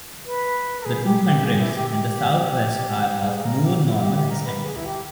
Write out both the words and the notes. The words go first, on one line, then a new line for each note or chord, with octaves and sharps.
The two hundreds in the south-west are of more normal extent.
B4
A#4
G#4
G4
G4
G#4
E4
G#4
G4
G4
G#4
A#4
G4
E4
G4
G4
A#4
B4
G#4
E4
G4